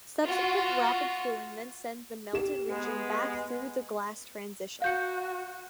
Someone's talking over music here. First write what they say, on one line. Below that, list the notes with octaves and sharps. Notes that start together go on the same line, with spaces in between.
Subsequent rapid cooling then sends the melted region back through the glass transition.
F4 F#4
G4 E7
G#3 B3
F#4 F5 G6 C#7